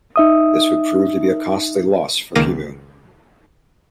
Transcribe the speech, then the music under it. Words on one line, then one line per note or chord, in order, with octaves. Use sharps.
This would prove to be a costly loss for Hemu.
D#4 E5 D#6
C#2 D#3 A#3 F5 A#6 D#7